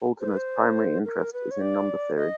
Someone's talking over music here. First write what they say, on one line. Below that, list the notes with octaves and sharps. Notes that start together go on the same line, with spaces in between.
Holdener's primary interest is in number theory.
C5
B4
C5
A#4
B4
C#5
D5
D#5